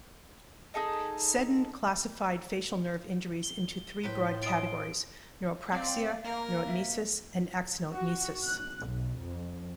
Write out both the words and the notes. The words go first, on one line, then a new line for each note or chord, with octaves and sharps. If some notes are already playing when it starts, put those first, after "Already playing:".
Seddon classified facial nerve injuries into three broad categories: neuropraxia, neurotmesis, and axonotmesis.
D#4 G#4 A4 D#5
G7
A2 B4 C5 G5
F4 D#5 D7
C4 D5 F5
A#3 A#4
E5
F#4
F#6
B1
F2